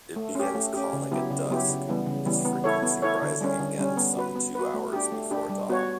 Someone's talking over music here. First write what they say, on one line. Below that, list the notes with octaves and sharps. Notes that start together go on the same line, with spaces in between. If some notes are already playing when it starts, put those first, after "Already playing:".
It begins calling at dusk, its frequency rising again some two hours before dawn.
A3
C#4 G4
A3
C#4 G4
C#3
F#3 B3 E4 G4
C#3
F#3 B3 E4 G4
C#3
E3 G3 B3
C#3
E3 G3 B3
B3
E4 A4 C#5
B3
E4 A4 C#5
D3
G3 C#4
D3
G3 C#4
B3
F#4 B4
B3
F#4 B4
A3
D4 G4
A3
D4 G4
G3
B3 F#4 C#5